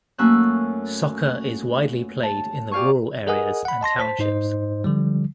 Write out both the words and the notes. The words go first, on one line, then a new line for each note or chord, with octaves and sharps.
Soccer is widely played in the rural areas and townships.
F#2 A3 A#3 C#4 E6 F#6
A5
G4 D5 F5 G#5 C#6
G#4 A#4 D#5 F#5 G#5 D#6
F#5 B5
D#5 A5 C6 A#6
C5 A5 B6
G#2 D#4 C5 D#5
D3 F3 G3